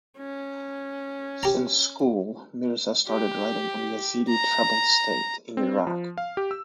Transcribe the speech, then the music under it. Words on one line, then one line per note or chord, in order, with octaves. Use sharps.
Since school Mirza started writing on Yazidi troubled state in Iraq.
C#4
G4 A#5
G4
A#5
C4
F3
F5
G4
E6